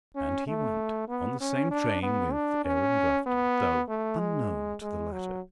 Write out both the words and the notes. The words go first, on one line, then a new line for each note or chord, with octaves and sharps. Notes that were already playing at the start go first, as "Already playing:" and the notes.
And he went, on the same train with Aaron Grafton, though unknown to the latter.
C#4
A3
B3
C#4
D4
B3
D4
C#4
B3
A3
G#3
G#3
F#3